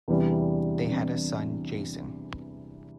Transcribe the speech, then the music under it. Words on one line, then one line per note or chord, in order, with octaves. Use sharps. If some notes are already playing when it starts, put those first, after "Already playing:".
They had a son, Jason.
E2 C3 E3 G3 D4
E2 C3 E3 G3 D4